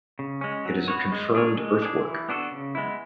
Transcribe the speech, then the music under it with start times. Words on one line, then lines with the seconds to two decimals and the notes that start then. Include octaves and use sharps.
It is a confirmed earthwork.
0.19 C#3
0.41 G#3 C#4
0.65 F#3
0.88 B3 F#4 C#5
1.12 G#3
1.35 D4 G#4 C#5
1.59 G#3
1.82 D4 G#4
2.05 E3
2.29 B3 D4 F#4 A4
2.51 C#3
2.75 G#3 B3 E4